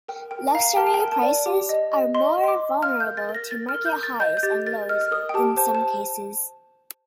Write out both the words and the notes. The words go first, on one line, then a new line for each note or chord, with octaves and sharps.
Luxury prices are more vulnerable to market highs and lows in some cases.
A#4 G5
A#4 G5
F5 A#5
A#4 A5
A5
G5
A#4
A5
D5
G4
D#5
D#5
D#5 C6
D#5
C6
D6
D#5
F5 F6
G6
A#4
A6
A#4
A#6
A#4 A6
F6
A#4
G6
A#4
A6
D#5 G6
G6
G4 A6
A#4 A6
D#5 F6
F6
A#4 D#6
G5
G4 A5
C5 A5
A5
C5